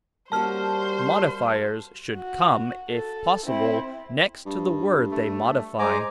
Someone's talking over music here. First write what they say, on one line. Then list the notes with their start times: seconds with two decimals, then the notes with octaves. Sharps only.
Modifiers should come, if possible, next to the word they modify.
0.32 G3 A#3 C#4 F#4 C5 A5 F6
2.15 F#4
2.89 A4
3.46 C4 E4
4.46 G2
5.11 A3
5.79 G#3 C5 G#5 A#5 D6